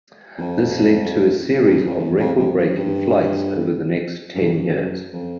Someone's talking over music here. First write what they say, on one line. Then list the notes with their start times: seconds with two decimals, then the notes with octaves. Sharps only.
This led to a series of record-breaking flights over the next ten years.
0.38 E2
0.41 F2
1.65 G2
1.77 F#2
1.87 F2
1.98 E2
2.18 F2
2.38 F2
2.58 F#2
2.77 G2
4.35 F#2
4.43 F2
4.52 F#2
4.67 F2
4.74 F#2
5.13 F2